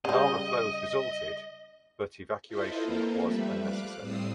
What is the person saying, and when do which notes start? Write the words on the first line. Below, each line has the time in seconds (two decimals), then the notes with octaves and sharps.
Lava flows resulted, but evacuation was unnecessary.
0.05 C#3 G3 D#5
2.47 E4 F4 A4 B4 C5 D#5
2.83 A#3 C4 F4 A4 A#4
3.21 F3 G3 A3 B4 E5
3.58 F5 D6 F#6
4.00 A2 G3 C4 D#6 E6 C7